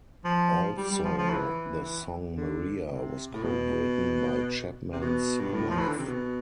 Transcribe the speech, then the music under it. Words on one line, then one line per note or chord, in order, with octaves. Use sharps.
Also, the song "Maria" was co-written by Chapman's wife.
F3
G3
G3
F3
F3
E3
D3
C3
A2
B2
C3
B2
G2
A2
F3
E3
D3
C3
B2